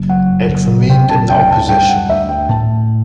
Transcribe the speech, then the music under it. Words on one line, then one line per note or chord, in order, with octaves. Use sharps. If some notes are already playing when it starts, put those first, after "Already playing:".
It remained in the opposition.
Already playing: F#1 F#2
F#3 F#5
F#1
C3 G5
A5
D2 G5
A5
G3 G5
F#5
D2 E5
G5
A2 A5